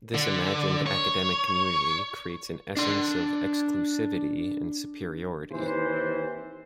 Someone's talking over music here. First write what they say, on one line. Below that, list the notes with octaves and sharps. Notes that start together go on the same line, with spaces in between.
This imagined academic community creates an essence of exclusivity and superiority.
D3
C#5
D4 C6
D#2 C3 E3 C5